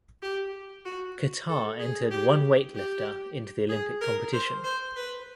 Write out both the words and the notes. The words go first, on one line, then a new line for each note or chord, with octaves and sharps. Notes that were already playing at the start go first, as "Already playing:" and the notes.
Qatar entered one weightlifter into the Olympic competition.
G4
F#4
A4
G#4
G4
G4
G#4
A#4
C5
C5
B4